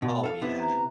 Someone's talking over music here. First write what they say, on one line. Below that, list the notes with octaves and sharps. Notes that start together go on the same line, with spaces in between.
Oh, yeah.
B2
A4 F5
C3 B3 E4
A#5